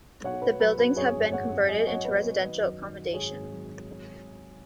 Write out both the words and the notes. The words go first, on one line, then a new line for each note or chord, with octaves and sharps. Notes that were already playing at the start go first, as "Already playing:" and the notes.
The buildings have been converted into residential accommodation.
B1 C#5 F#5
B1 B4
F#3 B4
B1 B4
F#2 G#4 C#5
G#1
G#1 C#5 F#5
G#1
F#3 D#5 G#5
F#3 C#5 F#5
B2 B4 D#5
F#3
D#3 B4 D#5
F#2
D#3
F#3
G#1 G#4 C#5
G#1
F#3